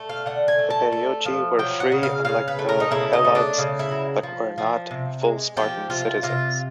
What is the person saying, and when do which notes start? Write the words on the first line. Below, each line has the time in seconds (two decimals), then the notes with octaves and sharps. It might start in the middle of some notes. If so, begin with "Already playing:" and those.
The perioeci were free, unlike the helots, but were not full Spartan citizens.
Already playing: A3
0.09 F5
0.26 D3 F#5
0.48 G#5
0.59 A3
0.70 A5
0.92 A3
1.25 F3
1.59 F#3 G5
1.80 F#5
1.92 C#3
2.03 F5
2.25 C#3 F5
2.48 B4
2.59 A3
2.69 A#4
2.80 D#4
2.91 C#3 E4
3.13 D#4
3.24 A3
3.35 D4
3.58 C#3
3.79 E4
3.91 F#3
4.23 F3
4.58 F3
4.91 C3
5.23 G#3
5.57 F3 G4
5.90 C3 F4
6.23 C3 F4